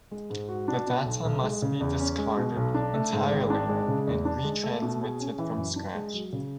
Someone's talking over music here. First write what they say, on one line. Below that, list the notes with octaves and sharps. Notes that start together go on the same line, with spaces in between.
The data must be discarded entirely, and re-transmitted from scratch.
G#3
G#2
F#4
D4
B2
B1
B1
G#3
C#3
E2
C#4
G#3
B2
B1
D4
A3
G#2
G#1
D4
G#3
C#3
E2
D4
G#3
A3
B2
G#4
C#4
E3
F#2
D4
G#3
F#3
C#3